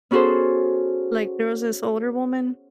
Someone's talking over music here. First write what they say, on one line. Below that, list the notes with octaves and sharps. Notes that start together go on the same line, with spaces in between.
like, there was this older woman,
B3 C#4 F#4 G#4 A4 C5